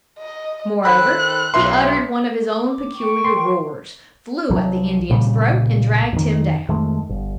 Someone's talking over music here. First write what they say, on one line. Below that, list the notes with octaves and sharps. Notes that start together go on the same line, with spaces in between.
Moreover, he uttered one of his own peculiar roars, flew at the Indian's throat, and dragged him down.
D#5
D#3 A4 C5 G5 B5 F#6
B1 C#4 E4 B4 E5 C6
D6
G5 C#6
A#4 C6
C2 F3 F#3
C2 A#2 C#3 G3
F2 D#3
F2 D#3 G#3 A3
G1